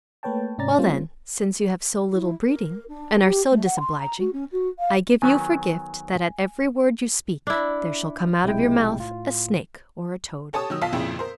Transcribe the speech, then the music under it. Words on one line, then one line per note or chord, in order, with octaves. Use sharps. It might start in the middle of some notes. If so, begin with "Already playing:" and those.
"Well then, since you have so little breeding, and are so disobliging, I give you for gift, that at every word you speak there shall come out of your mouth a snake or a toad."
A3 A#3 B4 C#5 G5 A5
G#2 C3 C#4 D5 A#5 A6
G3 A#3 C4 C#4 F4 C5
E4
A#4
D4
G4
A3
F#5
C6
A#5
F#4
C#4
F#4
F5
D#3 F#3 B3 G#5
D4 E4
B1 C3 G#3 E4 G5
A2 F4
G4 A4 C#5 A5 D#6
D#3 F#3 E6
B1 F4 F5 A5 B6
G#1 F2 A#2 C#3 E4 G5
A#4 C5